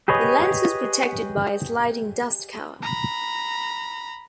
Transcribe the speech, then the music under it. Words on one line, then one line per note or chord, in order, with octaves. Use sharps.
The lens was protected by a sliding dust cover.
G4 G#4 B4 C#5 D#5
A#5 B5